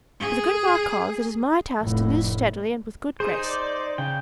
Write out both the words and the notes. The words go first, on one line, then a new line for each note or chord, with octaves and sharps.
For the good of our cause it is my task to lose steadily and with good grace.
G#4
F1 A2
D#4 G#4 C5
D5
C#3 G5